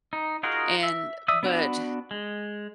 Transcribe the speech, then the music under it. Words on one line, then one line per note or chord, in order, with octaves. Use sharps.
and but
D#4
D#4 F4 F#4 G#4 A#4
E5
D5 E5 D#6
B3 D4 F#4 B4
G#3